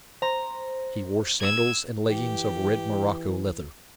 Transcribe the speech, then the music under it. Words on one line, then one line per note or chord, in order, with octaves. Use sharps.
He wore sandals and leggings of red morocco leather.
C5 A#5
E6 G#6
E3 G4